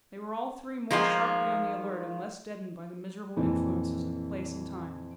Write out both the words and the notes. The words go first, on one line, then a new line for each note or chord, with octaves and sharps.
They were all three more sharply on the alert, and less deadened by the miserable influences of the place and time.
D#3 F3 G#3 A#3 F4
F2 A#2 E3